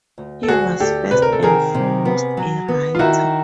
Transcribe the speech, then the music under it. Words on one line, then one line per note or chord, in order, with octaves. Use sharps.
He was first and foremost a writer.
D2
A4
D2 F#4 G#4
D2 G4 A4
C3 B4
A#4
A4
D#3 G#4 A#4
C3
B3
F#3
B3
F4
D#3 E4 F#4